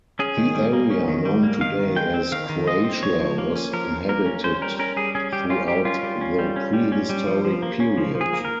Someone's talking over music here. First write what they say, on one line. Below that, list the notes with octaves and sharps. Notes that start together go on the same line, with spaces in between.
The area known today as Croatia was inhabited throughout the prehistoric period.
C#4 G#4
D#3
G3
A#3
C#4
D#3
G3
A#3
D#3 F5
D#3
G#3 G5
C4
D#3 F5
D#3
G#3 D#5
C4
F3 C#5
F3
A#3
C#4
F3 A#4
F3
A#3 A#4
C#4
C#4 C5
G3 A#4
C#4 A#4
G3 G#4
C#4 G#4
G3 G4
C#4 F4
G3 G4
C#4 F4
G3
C#4
G3
C#4
G3
C#4
G3
F3
F3
A#3
C#4
F3
F3
G#4
A#3
A#4